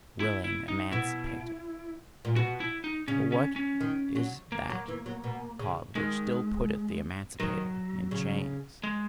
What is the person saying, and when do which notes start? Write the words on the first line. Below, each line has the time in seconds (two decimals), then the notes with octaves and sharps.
Willing emancipateth: but what is that called which still putteth the emancipator in chains?
0.20 E4
0.44 E4
0.68 D#4
0.92 B2 E4
2.25 A#2
2.36 B2 F#4
2.60 E4
2.84 D#4
3.08 C#3 C#4
3.32 C#4
3.56 C#4
3.80 D#3
4.15 F#3
4.52 A#3
4.70 F#3
4.88 E3
5.06 F#3
5.24 B2
5.59 C#3
5.95 D#3 G#3
7.40 D#3 F#3
8.11 C#3
8.83 G#3